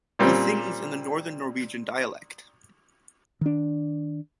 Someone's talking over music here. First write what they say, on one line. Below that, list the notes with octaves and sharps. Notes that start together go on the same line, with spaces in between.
He sings in the Northern Norwegian dialect.
A#2 G3 C4 C#4
D#3 D4